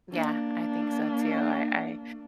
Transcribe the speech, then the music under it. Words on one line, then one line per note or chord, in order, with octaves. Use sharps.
Yeah, I think so too. I I
A#3 D4